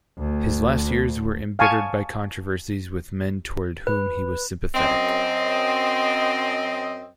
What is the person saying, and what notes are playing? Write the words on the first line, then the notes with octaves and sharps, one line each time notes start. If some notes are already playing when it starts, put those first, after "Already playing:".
His last years were embittered by controversies with men toward whom he was sympathetic.
D2
F5 G#5 A5 C#6
B4
F#2 C4 D#5